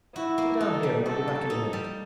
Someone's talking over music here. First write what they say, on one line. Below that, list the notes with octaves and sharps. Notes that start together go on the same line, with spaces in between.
'Sit down here and I'll be back in a minute.
E4 F#4
A#3
D#4 A4
G3
F#4 A4
A#3
D#4
G3